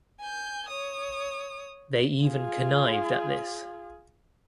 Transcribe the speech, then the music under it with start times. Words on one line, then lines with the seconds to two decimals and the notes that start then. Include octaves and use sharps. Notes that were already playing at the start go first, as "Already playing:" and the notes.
They even connived at this.
0.20 G#5 G6
0.69 C#5 D#6
2.25 F4 G#4